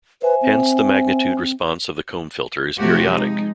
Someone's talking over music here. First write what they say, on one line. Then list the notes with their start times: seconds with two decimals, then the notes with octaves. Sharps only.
Hence the magnitude response of the comb filter is periodic.
0.22 B4 C5 E5 G#5
0.42 C4
2.77 C3 F3 A3 F#4 G4
3.10 G#3 D#4